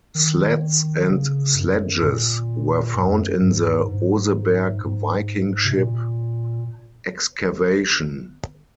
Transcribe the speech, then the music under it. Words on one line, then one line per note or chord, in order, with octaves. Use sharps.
Sleds and sledges were found in the Oseberg "Viking" ship excavation.
D#3
C#3
F#2
A#2
F#2
F2
F#2
G#2
G#2
G#2
C3
A#2